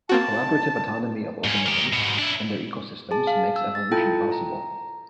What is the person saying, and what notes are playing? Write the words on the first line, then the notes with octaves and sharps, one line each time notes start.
Collaborative autonomy of organisms in their ecosystems makes evolution possible.
A#3 C4 F#4 A5
G#2 C#4
D#3 G4
G#2 B2
D4 E4
G#4 A5
F5
E6
A6
E4 F4 A4 G5 A5
A#5